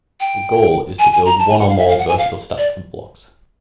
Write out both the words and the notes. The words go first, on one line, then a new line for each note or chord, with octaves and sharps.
The goal is to build one or more vertical stacks of blocks.
G5
G#5
G#5
A#5
A5
G#5
F#5
F5
E5
F5
F#5
G#5
F5
D5